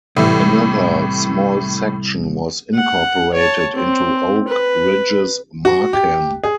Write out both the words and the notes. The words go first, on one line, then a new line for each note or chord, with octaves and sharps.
Another small section was incorporated into Oak Ridges-Markham.
C2 A2 E3
F#5
C#5 A5
C4
B4
F#4
G4
G#4